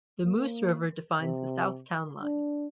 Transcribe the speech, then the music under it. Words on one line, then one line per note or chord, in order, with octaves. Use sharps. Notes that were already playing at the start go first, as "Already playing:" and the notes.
The Moose River defines the south town line.
A#3
C3
D4